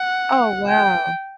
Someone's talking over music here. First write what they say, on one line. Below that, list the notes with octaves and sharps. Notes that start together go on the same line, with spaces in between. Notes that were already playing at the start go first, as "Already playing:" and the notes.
Oh, wow.
Already playing: F#5
G5